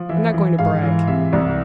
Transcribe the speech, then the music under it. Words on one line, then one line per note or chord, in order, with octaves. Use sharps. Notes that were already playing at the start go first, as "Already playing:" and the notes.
I'm not going to brag.
Already playing: F3
E3 E5
E3
G#2 F5
E3
C3 E5
C2